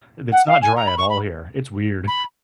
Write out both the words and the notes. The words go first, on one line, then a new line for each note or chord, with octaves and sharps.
Th it's not dry at all here, it's weird
F#5
F5
G#5
A#5
B5
C#6
B5
B5